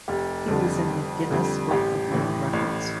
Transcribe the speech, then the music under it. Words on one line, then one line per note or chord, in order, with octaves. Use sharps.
He was in the Guinness book of World Records.
F1 G4
F2 D3 G3
F1
F2 D3 G3
A1 G4
A2 E3
A1